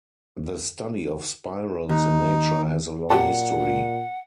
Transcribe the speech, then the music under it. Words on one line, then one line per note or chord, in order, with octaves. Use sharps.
The study of spirals in nature has a long history.
D#2 D#4
A#2 F#3 G4 F#5 A5